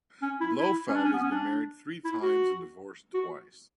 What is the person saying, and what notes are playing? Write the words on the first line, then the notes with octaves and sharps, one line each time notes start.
Blofeld has been married three times and divorced twice.
C#4
E4
E4
C#4
D4
C#4
B3
C#4
D4
E4
F#4
F#4